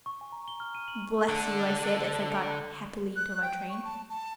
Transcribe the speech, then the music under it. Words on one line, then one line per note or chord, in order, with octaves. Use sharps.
"Bless you," I said, as I got happily into my train.
C#6
G#5
A#5
G7
F6
D#7
F#7
D3 D4
F#6
G5
C#6
A5
A5